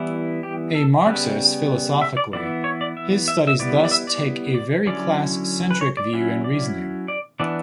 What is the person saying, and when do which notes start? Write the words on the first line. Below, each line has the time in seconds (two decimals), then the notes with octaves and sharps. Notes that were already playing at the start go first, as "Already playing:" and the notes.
A Marxist philosophically, his studies thus take a very class-centric view and reasoning.
Already playing: E3 G3 B3 E4
0.43 G4
0.75 A4
1.06 C#3 G3 B3 B4
2.02 E5
2.17 D5
2.33 E3 B3 E4 D5
2.64 C#5
2.81 D5
2.97 E5
3.28 E5
3.47 E5
3.60 G3 B3 E4 D5
3.85 D5
3.91 E5
4.07 D5
4.54 D5
4.86 D3 F#3 C#4 E4 D5
5.71 B4
5.81 C#5
5.97 D5
6.13 F#3 C#4 E4
6.44 D5
7.08 D5
7.40 E3 B3 D4 D5